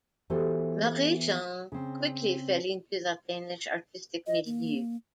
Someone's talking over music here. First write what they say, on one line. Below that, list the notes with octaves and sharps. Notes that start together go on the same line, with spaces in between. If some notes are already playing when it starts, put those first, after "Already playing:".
Marie Jeanne quickly fell into the Danish artistic milieu.
E3 B3 F#4 G4 A4 C5
C#3 C4
D#5
A#3